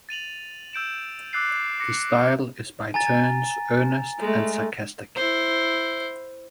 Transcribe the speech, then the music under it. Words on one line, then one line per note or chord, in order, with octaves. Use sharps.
The style is by turns earnest and sarcastic.
A6 D#7 F7 F#7
E6 G6 D7 E7
D6 E6 F#6 A6 C7 D#7
D6 A#6 C#7
G#5 A#5 A6
G#3 A3
E4 C5